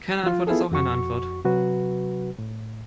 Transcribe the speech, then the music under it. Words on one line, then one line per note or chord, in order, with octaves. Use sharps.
Keine Antwort ist auch eine Antwort.
F3 F4
B3 E4 F4 G#4 A4
F2 F#4 C#6
C3 F#3 F#4 B4
A2